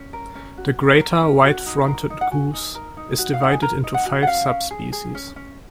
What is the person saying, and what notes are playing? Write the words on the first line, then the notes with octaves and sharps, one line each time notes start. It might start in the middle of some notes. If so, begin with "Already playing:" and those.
The greater white-fronted goose is divided into five subspecies.
Already playing: C#4
A#4
C#4
F#4
C#4
A#4
C#4
F#4
D#4
A#4
D#4
F#5
F#4 G#5
D#4
A#4
D#4
F#4
F5
D#4 F#5
G#5
A#4 A#5
D#4
F#5
F#4
F#5
C#4 F5
C#4
G#4
G#4
C#4
C#4